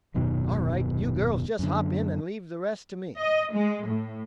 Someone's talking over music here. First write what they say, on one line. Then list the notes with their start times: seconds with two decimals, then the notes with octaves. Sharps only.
"All right; you girls just hop in, and leave the rest to me."
0.14 D#1 F#2 B2 D#3
1.59 F#2 D3
3.19 D#5
3.52 G#3
3.85 A2